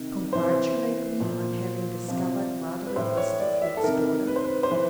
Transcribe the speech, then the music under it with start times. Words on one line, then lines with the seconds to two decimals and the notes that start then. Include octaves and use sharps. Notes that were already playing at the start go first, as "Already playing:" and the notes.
"Congratulate me on having discovered Roderick Westerfield's daughter."
Already playing: C3 D#3
0.33 C3 E3 C5
1.20 A#2 F3
2.08 C3 F3
2.87 B4
2.96 A2 E3 C5
3.17 C#5
3.40 D5
3.62 E5
3.77 A4
3.84 C3 D#3 A#4
4.27 B4
4.36 C5
4.44 B4
4.63 C5
4.71 E3 B4